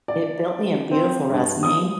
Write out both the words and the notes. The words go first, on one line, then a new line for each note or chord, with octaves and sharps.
it built me a beautiful resume.
D5
C4
G2
D#6